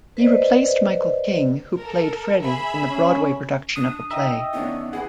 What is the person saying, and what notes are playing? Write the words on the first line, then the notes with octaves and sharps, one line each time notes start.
He replaced Michael King who played Freddy in the Broadway production of the play.
B4 C5 D5 D#5
A4 A#4
G#4 E5 B5
C#4
D4 D#6
D#4 D#5 E5 G5 A#5 D#6
D#3 B3 C#4 D4
E2 E4 G#4 F#5